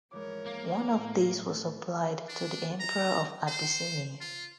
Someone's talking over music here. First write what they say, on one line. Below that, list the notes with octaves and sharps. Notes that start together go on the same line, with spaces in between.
One of these was supplied to the Emperor of Abyssinia.
G#2 E3 F3 A#4 C#5 D6
A#3
A2 A3
A4
D4
A#5
C5
F4